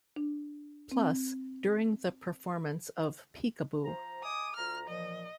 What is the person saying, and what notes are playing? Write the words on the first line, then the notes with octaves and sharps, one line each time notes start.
Plus, during the performance of Peek-a-Boo!
D4
C4
F3 C5 A#5
D#5 G#5 D6 D#6
D2 F4 A#5 F6
A#2 E3 F3 D#5